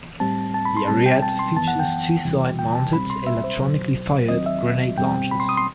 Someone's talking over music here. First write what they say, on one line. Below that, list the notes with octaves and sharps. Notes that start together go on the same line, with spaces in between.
The Ariete features two side-mounted, electronically fired grenade launchers.
A2 G3 C4 A5
A5
B5
C6
B2 G3 C4 A5
G5
A5
C6
F#2 E3 B3 A5
F#5
G5
E2 C3 E3 G3
G5
A5
C2 B2 G3 C4 B5
C6
E5
C5
E2 B2 F#3
D#2 D#3 F#3 C4 D#5
E5
B2 G3 C4 G5
B5
C6
D#6
C6